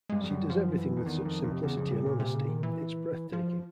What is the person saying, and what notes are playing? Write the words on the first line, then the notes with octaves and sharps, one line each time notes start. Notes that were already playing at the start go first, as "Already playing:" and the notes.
She does everything with such simplicity and honesty, it's breathtaking.
G2 G#3
F2 G3
F#2
F3
E3
F2
E2 D#3
F2
F2
C3
E2 C#3
F2
G2
A#2
C3
C#3
D#3
E3
F3